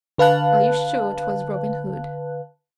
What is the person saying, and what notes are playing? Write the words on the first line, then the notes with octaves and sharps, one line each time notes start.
"Are you sure 'twas Robin Hood?"
D3 B4 F5 A5 F#6